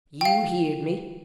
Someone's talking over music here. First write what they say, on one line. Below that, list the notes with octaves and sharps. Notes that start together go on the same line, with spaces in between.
"You heerd me!"
G5
F5